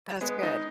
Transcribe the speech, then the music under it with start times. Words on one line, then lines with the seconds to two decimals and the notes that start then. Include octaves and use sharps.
That's good.
0.21 G#3 B3
0.43 D#4